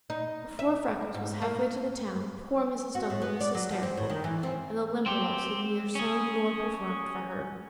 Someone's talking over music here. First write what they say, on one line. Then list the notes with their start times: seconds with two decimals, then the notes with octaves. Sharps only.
Before Freckles was halfway to the town, poor Mrs. Duncan was hysterical, and the Limberlost had neither sung nor performed for her.
0.10 D#4
0.59 E5
1.14 G#2
1.42 A#3
2.95 F#4
3.10 A2
3.22 B3
3.41 D5
3.55 F#3
3.71 F3
3.83 C4
3.97 A2
4.10 D#3
4.24 E3
4.43 C4
5.06 C4 G4
5.95 C#4 G#4